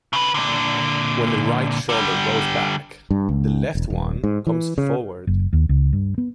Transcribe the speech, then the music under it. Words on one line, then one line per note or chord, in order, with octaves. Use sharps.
When the right shoulder goes back, the left one comes forward.
C#3 B4
A#2 D3
D3 G3
G2
C#2
E1
D#1
G#2
E3
C#3
F#1
D#2
C#2
G2
B3